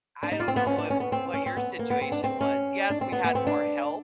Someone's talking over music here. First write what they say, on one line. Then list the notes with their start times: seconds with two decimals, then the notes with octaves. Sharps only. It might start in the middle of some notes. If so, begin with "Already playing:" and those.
I don't know, wh what your situation was, yes, we had more help
0.23 D4
0.32 D#4
0.40 F4
0.48 C4
0.56 B3
0.67 C#4
0.78 D4
0.90 C#4
1.00 B3
1.12 C4
1.34 C#4
1.46 C4
1.57 B3
1.79 A#3
1.90 B3
2.02 C4
2.12 D4
2.24 C4
2.41 C#4
2.90 D4
3.01 C4
3.12 B3
3.24 B3
3.35 C4
3.47 D4